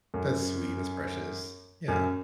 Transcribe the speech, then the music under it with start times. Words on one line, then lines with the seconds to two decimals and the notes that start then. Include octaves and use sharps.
That's sweet, that's precious. Yeah,
0.14 F#2
1.88 F#2